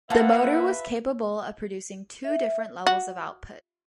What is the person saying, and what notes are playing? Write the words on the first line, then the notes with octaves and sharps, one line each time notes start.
The motor was capable of producing two different levels of output.
A#3 F4 B4 E5 F#5 A5
E5
F#4